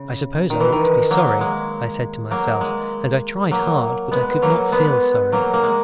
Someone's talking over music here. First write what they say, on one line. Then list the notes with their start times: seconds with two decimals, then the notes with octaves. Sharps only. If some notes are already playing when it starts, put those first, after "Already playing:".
"I suppose I ought to be sorry," I said to myself; and I tried hard, but I could not feel sorry.
Already playing: C#3
0.50 D#3
0.60 E3
0.72 D#3
1.11 F#3 A#3
1.41 G#3
2.31 F#3 A#3
2.61 G#3
3.51 F#3 A#3
4.12 G#3 B3
4.42 F#3 A#3
4.72 G#3 B3
5.32 F#3 A#3
5.53 A#3
5.63 G#3